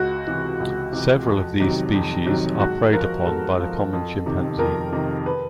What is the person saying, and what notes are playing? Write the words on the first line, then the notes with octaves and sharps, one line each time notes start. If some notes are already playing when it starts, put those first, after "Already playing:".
Several of these species are preyed upon by the common chimpanzee.
Already playing: C#2 F#4
C3 E3
C#2
C3 E3
F2
C3 D#3 F#3
F2
C3 D#3 F#3
G#2 F#4
F3 A#4
G#2 A4
F3
F2
C3 D#3
F2 A#4
C3 D#3
B4